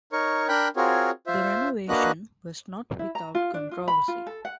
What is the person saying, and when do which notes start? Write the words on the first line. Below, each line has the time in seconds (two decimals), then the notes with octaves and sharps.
The renovation was not without controversy.
0.12 D#4 A#4 C#5 C#6
0.48 D4 A#4 G5 B5 F#6
0.76 C4 F4 F#4 G#4 A#4 C#5
1.27 F4 C5 E5
1.89 A#3 D4 F#4 B4 D#5 F#6
2.99 E4
3.15 A#5
3.35 F4
3.54 D4
3.71 F4
3.88 B5
4.08 F4
4.27 A4
4.45 F#5